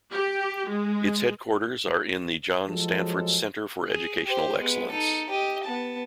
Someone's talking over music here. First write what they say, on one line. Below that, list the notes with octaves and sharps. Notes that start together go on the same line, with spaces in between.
Its headquarters are in the John Stanford Center for Educational Excellence.
G4
G#3
F3 F#3 G#3 A4
G#4
G4 C5
G#3 B3
D#4 A4
G4 D#5
B3 A5